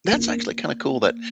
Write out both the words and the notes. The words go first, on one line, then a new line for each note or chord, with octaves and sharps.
That's actually kinda cool that
A#3